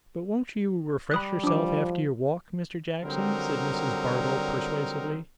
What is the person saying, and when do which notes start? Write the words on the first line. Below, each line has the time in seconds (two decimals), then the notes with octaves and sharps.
'But won't you refresh yourself after your walk, Mr. Jackson?' said Mrs. Bardell persuasively.
1.11 G3 B5 D#6 F#6
1.44 F3 D4 D6
3.04 D3 F#3 G3 C4 D#4 A#4